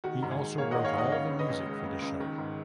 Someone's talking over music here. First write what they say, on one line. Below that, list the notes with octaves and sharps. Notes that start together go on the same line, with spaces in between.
He also wrote all the music for the show.
D#3 F#4
G#2
G#4
G#2
A#3 C#5 F5
D#3 D#5 F#5
C#5 F5
G#2 D#5 F#5
C#3 C#5 F5
C#2
B4 D#5
C#2
G#3
C#3
C#2
D#3
G#2